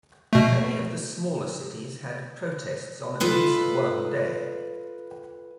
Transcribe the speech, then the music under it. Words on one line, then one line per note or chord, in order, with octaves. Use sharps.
Many of the smaller cities had protests on at least one day.
B2 A3
F4 A4 B4 D#5